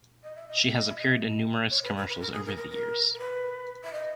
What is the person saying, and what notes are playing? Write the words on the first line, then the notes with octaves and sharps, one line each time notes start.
She has appeared in numerous commercials over the years.
D#5
E5
D#5
E5
D#5
E5
D#5
C#5
B4
B4
B4
A#4
G#4
A#4
A#4
A#4
A#4
B4
E5
D#5